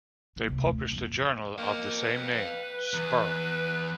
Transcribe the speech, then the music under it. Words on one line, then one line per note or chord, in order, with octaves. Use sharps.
They published a journal of the same name "Spur".
D3 A#3
D2 C3
F2 A3
A#1 F2
A#3 F5 G5
B4
E2